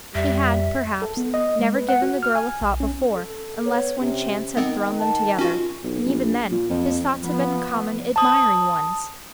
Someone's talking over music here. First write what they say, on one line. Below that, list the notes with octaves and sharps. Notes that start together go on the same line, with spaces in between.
He had, perhaps, never given the girl a thought before, unless when chance had thrown them together, and even then his thoughts had been common admiring ones.
F2 G3 E5
A4
B3
D#5
G#3
B4
F#5
F#4
F6
G#5
B1
C#4
A4
B3 C#5
C3 C#4
D#3 B3 C4
A5
C#4 F4 F#4
B1
A#1
A#2
F2
F3 B3
A5 D#6